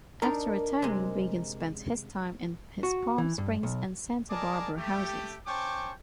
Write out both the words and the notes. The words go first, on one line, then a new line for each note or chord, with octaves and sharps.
After retiring, Regan spent his time in his Palm Springs and Santa Barbara houses.
D4 D#4 A#4 D5
C3 G#3
F#4
E3
G2
B1
G#4 A#4 D5 D#5 A5 D6
A3 G4
C#4 C5 G5 A5 C#6 D6